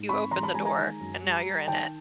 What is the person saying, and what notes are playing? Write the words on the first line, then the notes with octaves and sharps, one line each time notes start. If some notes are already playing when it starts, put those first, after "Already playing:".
You opened the door, and now you're in it.
Already playing: G#2
C4 B5 C#6
E3 A#5 C6
A5 B5
G#3 G#5 A#5
G#5 A#5
D#3
F#2
G3
G3
D#3 G5 A5